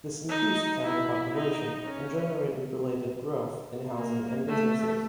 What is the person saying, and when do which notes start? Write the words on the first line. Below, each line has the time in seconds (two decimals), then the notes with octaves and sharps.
This increased county population and generated related growth in housing and businesses.
0.29 D#4
0.82 E4
1.34 D#4
1.86 C#4
3.95 A#3
4.47 A3